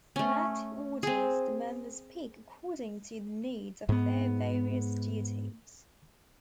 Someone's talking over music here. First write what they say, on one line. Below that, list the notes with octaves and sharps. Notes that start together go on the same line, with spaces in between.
In active orders the members speak according to the needs of their various duties.
A3 C#4
C4 G#4
G#2 B3